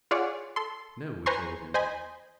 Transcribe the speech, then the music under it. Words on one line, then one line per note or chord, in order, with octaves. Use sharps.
"No," we told him.
F4 G#4 C#5 D5 F#5
A4 C6
B4 C5 G#5 A#5 C6 C#6
C5 D#5 G#5 B5